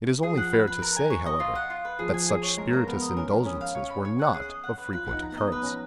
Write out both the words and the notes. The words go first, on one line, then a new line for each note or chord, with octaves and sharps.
It is only fair to say, however, that such spirituous indulgences were not of frequent occurrence.
F3 G#4
F#5
B5
B4
A#4
G#5
C#6
D#5
F4
F#5
F4
B4
F3 G#4
G#5
G#4
C#5
G#3 A#4
A#3 A#5
B3 A#4
D#5
C#4 A#4
B5
C#4 D#6
F5
C#5
B5
C#5
F#5
G#4
D#5
F#5
B4
F4 B4
F#5
D#4
A#5
B3
D#5
B3 B4
C#4 A#5